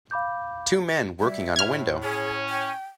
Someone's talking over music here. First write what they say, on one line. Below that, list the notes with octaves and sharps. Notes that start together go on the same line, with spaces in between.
Two men working on a window.
F5 B5 D6 G6
G3 E5
A2 F6 G#6
C#4 G#4
G5